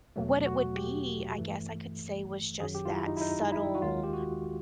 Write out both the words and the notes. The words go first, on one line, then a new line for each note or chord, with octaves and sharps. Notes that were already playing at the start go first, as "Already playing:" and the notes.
What it would be, I guess I could say was just that subtle,
E2 B2 F#3 A3
F#4
G4
G2 E3 A3
F#2 D#3 F#3 G#4
G4
F4
E4
D#4
E4
D#4
E4
F#4
D#2 D#3 G#3 F4
G4
F#4